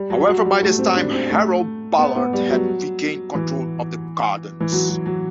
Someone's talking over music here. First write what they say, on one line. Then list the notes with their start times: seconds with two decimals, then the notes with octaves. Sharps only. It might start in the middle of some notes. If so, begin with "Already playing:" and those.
However, by this time Harold Ballard had regained control of the Gardens.
Already playing: G3
0.10 F#3
0.28 F#3
0.45 G3
0.62 A3
0.79 C4
0.96 D4
1.13 C4
1.30 A3
1.98 B3
2.16 B3
2.33 G3
2.49 F#3
3.35 E3
4.60 E3
4.72 F#3
4.88 F#3
5.06 F#3